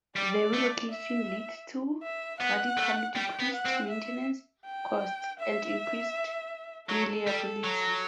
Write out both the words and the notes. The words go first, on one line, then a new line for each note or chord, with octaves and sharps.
The relocation led to radically decreased maintenance costs and increased reliability.
G3 D5
A3
E5
E5
B3 F#5
A3
G3 G5
B3
F#5
C4
E5
G5
E5
F#3 A4
G3
F#3